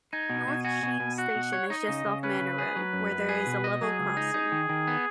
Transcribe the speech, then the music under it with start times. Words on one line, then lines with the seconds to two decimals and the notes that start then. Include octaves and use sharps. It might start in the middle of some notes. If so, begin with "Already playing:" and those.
North Sheen station is just off Manor Road, where there is a level crossing.
0.12 D#4 G#5
0.30 B2
0.48 B2
0.65 F#4 G#5
0.83 B2
1.00 B2
1.18 F#4 F#5
1.35 B2
1.53 C#5
1.70 D#4 D#5
1.88 C#3
2.06 C#3
2.23 C#4 B4
2.41 C#3
2.58 G#4
2.76 F#3
2.93 F#2
3.11 F#2
3.29 G#4
3.47 B2
3.64 D#5
3.81 F#3 G#4
3.99 C#2
4.17 D#4
4.34 D#4
4.52 D#3
4.69 D#3
4.87 B3